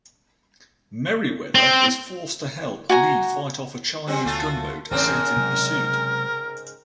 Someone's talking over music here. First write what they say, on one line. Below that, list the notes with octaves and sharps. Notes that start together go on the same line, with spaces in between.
Merryweather is forced to help Lee fight off a Chinese gunboat sent in pursuit.
C4
F#4 G#5 A#5
F#3 G3 C4
D2 D3 A3 F4 F#4
A1 G#2 C#3 C4 A#4
C3 F#3 G#3